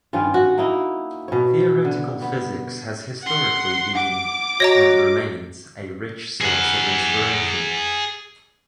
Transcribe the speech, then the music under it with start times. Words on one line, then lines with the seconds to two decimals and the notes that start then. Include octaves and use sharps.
Theoretical physics has historically been, and remains, a rich source of inspiration.
0.13 G2 D#3 C#4 F4
0.34 F#4
0.58 A#3 D#4 E4
1.28 B2 C#5
1.85 D3
2.22 B3
3.22 F#5 C6
3.95 F#5 D6
4.60 F#4 C#5 D#5 A#5 A#6
6.41 G#4 F#5